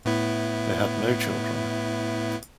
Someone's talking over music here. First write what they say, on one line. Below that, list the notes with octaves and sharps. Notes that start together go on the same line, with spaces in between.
They had no children.
A2 B3 E4